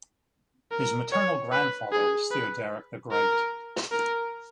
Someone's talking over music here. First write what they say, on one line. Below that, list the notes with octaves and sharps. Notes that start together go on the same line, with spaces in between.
His maternal grandfather was Theoderic the Great.
A#4
C#5
B4
G#4
B4
A#4
A#4